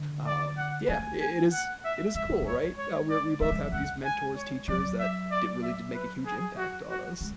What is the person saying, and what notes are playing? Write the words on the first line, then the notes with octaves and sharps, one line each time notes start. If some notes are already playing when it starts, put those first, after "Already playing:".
um, yeah, i it is it is cool, right? Tha we're we both have these mentors, teachers that did really did make a huge impact on us.
Already playing: D3
D5
F#5
A3 G#5
G#5
F#5
E5
G#3 E5
A3
G#3
C#5
C#5
D5
A3 E5
G#3
F#3
G#3 F#5
G#5
C#5
F#3 D5
E5
D5
E5
B4
G#4
F#4
F#4
G#3